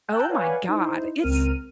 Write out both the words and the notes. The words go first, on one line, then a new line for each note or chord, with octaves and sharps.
"Oh, my god." It's
G5 A5 A#5 E6 F#6 G6
B4 C#5 D5 F5 F#5 G#5
D#4 E4 C5
C#2 C4 A#4 F6 D#7